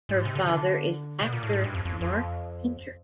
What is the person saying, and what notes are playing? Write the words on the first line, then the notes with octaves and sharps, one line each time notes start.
Her father is actor Mark Pinter.
G#2
C3
D3
D3
B2
A#2
A2
G#2
G2
F2
F2
F2